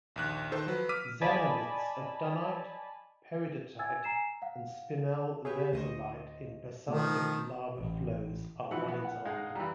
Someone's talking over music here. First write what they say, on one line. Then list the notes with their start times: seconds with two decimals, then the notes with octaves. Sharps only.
Xenoliths of dunite, peridotite and spinel lherzolite in basaltic lava flows are one example.
0.16 A#1 D#2 F#6
0.52 D#3 A4 C5
0.66 F3 F#3 B4
0.89 D6 E6 F6 B6 D#7
1.21 D5 D#5 G#5 A5 B5
3.79 G#5 E6 G#6 A6
4.04 G#5 A#5 C7 E7
4.42 F5 F#5
5.45 G4 G#4 B4 C#5 E5
5.73 D2 C5 D#5 C#6
6.88 B2 D#3 F3 A3
7.77 A1
8.71 B2 E3 F3 E4 F#5
8.88 B3
9.05 F5 F#5
9.25 G#3 D#4 F5 F#5
9.55 E3 G3 A#5 B5